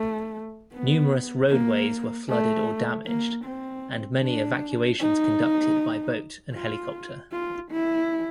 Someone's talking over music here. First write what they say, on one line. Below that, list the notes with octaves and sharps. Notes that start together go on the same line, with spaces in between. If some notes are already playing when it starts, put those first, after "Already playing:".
Numerous roadways were flooded or damaged and many evacuations conducted by boat and helicopter.
Already playing: A3
B3
A#3
A3
A#3
C4
D4
D#4
F4
F4
E4